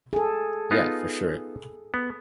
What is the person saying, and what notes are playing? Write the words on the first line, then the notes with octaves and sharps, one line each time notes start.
Yeah, for sure.
G#4 A4
B3 D#4 F4
B3